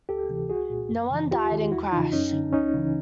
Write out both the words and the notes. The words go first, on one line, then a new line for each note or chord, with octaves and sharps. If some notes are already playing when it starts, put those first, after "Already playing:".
No one died in crash.
D2 G4 A4
C3 E3
C2 F#4 G#4
A#2
F#2
C#3 E3
D#2 F4 G4
D#3
E2 E4 F#4
C#3 E3 D#4 F4
F#2 C#4 D#4
D3
C#2 C#4 D#4
C#3 E3